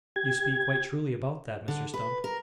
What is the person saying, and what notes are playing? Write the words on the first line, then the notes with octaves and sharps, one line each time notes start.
You speak quite truly about that, Mr Stump.
G4 G#6
D3
B4
A#4